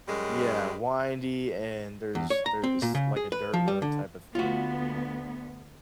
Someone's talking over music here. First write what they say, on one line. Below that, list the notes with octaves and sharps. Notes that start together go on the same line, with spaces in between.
Yeah, windy, and there's there is like a dirt road type of thing.
F#2 G3 G#3
E2
C#5
A#5
C4
A#2
C#3
G#4
B4
F3
G3
D3
D2 B3 F4 F#4